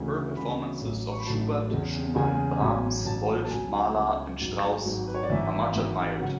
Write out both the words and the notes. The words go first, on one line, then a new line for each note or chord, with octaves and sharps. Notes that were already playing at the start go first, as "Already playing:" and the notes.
Her performances of Schubert, Schumann, Brahms, Wolf, Mahler and Strauss are much admired.
Already playing: D2 C#3 E3 G#3
D2 C#3 E3 G#3 B5
A1 A2 F#3
C#6
B5
A1 A2 F#3 A5
E2 C#3 G#3
E2 C#3 G#3 G#5
A1 G#2 F#3
A1 G#2 F#3 A5
A5
C#2 B2 F#3 G#5
C#2 B2 F#3
G#1 G#2 F#3
G#1 G#2 F#3
B4
C#5
D5
G#1 G#2 E3 E5
G#1 G#2 E3
C#3 F#3 F#5